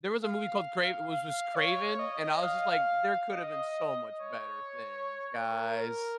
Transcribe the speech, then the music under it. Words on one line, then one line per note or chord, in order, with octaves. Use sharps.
there was a movie called Cra it was was Craven, and I was just like, "There could've been so much better things, guys.
F5
F5
C#5
D#5
F5
D#5
C#5
A#4